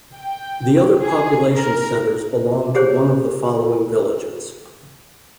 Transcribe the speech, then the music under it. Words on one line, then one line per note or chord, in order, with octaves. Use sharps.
The other population centres belong to one of the following villages.
G5
G#4
A#4
G4 G#4 C5 C#5